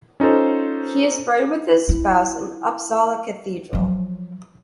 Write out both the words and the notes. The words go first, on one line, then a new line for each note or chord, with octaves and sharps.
He is buried with his spouse in Uppsala Cathedral.
C#4 D#4 F4 A4 C5
E4
F3 F#3